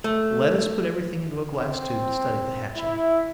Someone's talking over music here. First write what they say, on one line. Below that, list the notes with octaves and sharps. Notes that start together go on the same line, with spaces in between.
Let us put everything into a glass-tube to study the hatching.
A3
C4
E4